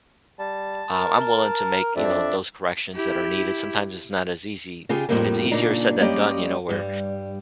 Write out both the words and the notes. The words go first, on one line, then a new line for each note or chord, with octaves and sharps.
um, I'm willing to make, you know, those corrections that are needed sometimes it's not as easy. It's easier said than done, you know, where,
G3 A5
A#4
F2 D4 D5 E5
E4 G4
C#3 F4 G4 G#4
F2 A2 F3 G3 A3 A#3
A#2 C#3 A#3 D4 D#4
G3 A#3 C#4 G4 D5 D#5
G2 G3